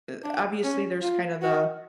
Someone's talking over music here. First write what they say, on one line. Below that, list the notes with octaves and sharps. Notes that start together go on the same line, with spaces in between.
eh, obviously, there's kind of the
D4
C#4
F4
F#4